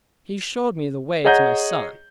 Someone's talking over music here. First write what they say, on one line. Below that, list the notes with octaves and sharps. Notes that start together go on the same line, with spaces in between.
He showed me the way to my son.
G#4 C#5 D#5 F#5 A#5 G6